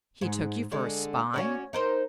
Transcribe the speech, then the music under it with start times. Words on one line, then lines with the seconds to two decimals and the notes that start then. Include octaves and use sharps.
"He took you for a spy?"
0.21 G#2
0.72 D3 G#3
1.34 C#4 F#4 D5
1.73 D#4 A#4 C5